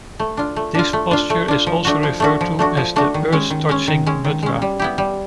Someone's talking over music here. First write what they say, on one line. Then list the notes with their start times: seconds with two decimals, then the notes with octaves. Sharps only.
This posture is also referred to as the 'earth-touching' mudra.
0.20 A3
0.37 D4 F4
0.56 A3
0.75 D4 F4
0.93 A3
1.11 D4 F4
1.30 A3
1.48 D4 F4
1.67 F3
1.85 A3 D4 F#4
2.03 F3
2.20 A3 D4 F#4
2.41 F3
2.59 A3 D4 F#4
2.77 F3
2.96 A3 D4 F#4
3.14 D#3
3.32 G#3 C#4
3.50 D#3
3.69 G#3 C#4
3.88 D#3
4.06 G#3 C#4
4.24 D#3
4.42 G#3 C#4
4.62 G3
4.79 B3 E4 G4
4.98 G3